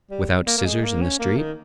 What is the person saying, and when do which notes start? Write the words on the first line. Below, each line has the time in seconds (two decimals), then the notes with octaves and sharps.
"Without scissors, in the street?"
0.10 G3
0.47 A#3
0.58 A#3
0.65 G#3
0.83 A#3
1.01 C#4
1.20 A#3
1.37 D#3